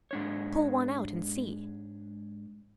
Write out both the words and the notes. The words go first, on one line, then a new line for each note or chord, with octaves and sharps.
"Pull one out and see!"
G#2 D4 C#5